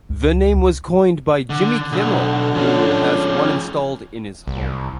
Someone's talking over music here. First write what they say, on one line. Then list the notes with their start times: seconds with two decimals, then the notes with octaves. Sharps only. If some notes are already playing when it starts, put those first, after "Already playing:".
The name was coined by Jimmy Kimmel, who has one installed in his home.
0.10 C#2
1.50 D3
1.92 B1 D3
2.55 F3 C#4
4.47 C2